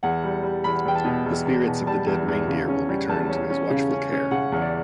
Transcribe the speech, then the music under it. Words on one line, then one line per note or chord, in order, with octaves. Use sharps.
The spirits of the dead reindeer will return to his watchful care.
E2 F#5
G3
G3
E2 B5
E2 G5
A5
B2
E2
E2
B2
G3 A5
E2
E2
C#3
C#4
G3
E2 A5
C#4
C#4
C#3
C#4
C#4
C#3 F#5
E2
D5